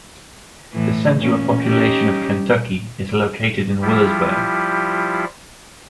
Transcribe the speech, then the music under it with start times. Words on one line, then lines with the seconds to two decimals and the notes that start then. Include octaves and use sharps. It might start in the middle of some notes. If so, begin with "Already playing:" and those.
The center of population of Kentucky is located in Willisburg.
0.73 A2 E3
1.20 A#2 C#4
1.64 C#4 D#4 G4
3.82 F3 G3 E4 F4 G4